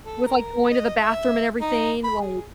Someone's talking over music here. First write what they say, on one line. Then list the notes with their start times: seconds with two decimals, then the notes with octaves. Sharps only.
with, like, going to the bathroom and everything, like
0.06 A4
0.26 A#4
0.70 D#5
1.01 E5
1.61 D#4
2.04 B5
2.22 G#4